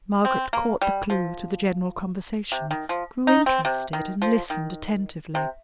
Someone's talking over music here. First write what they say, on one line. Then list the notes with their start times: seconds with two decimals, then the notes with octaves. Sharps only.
Margaret caught the clue to the general conversation, grew interested and listened attentively.
0.25 C4
0.53 A#3
0.82 G3
1.10 F3
2.52 C3
2.71 D#3
2.89 F3
3.27 D#4
3.46 C4
3.65 C3
3.93 D#3
4.22 F3
4.50 D#3
5.35 C3